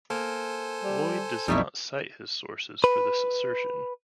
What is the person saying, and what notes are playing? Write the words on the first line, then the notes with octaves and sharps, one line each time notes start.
Lloyd does not cite his sources for this assertion.
A#3 A4 C5 G#5
G3
B1 F2 G3 A3 D#4 E4
B4